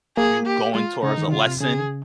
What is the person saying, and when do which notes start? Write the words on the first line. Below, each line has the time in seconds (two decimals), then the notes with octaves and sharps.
you going towards a lesson
0.17 A#3 G#4
0.46 G4
0.75 G#3 F4
1.03 C#3 D#4
1.18 D#3
1.28 D#3
1.31 C#3 F4
1.46 C3
1.61 C#3 G#4